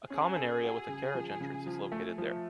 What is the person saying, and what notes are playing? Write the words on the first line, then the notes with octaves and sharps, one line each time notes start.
A common area with a carriage entrance is located there.
C#4 G#4
A4
F#4
C#3
F3
C#3
F3
A3
F3